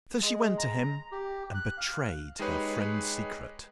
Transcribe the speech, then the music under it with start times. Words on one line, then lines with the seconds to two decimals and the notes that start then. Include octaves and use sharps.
So she went to him, and betrayed her friend's secret.
0.22 G#3
0.58 A#5
1.12 G4
1.55 F#6
1.78 F5
2.39 G#3 D#4 G4 G#4 B4 C#5